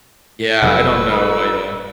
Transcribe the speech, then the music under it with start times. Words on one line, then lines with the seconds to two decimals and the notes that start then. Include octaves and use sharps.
Yeah, I don't know. Yeah.
0.62 F1 C3 F#3 G3 F4 A4 B4 E6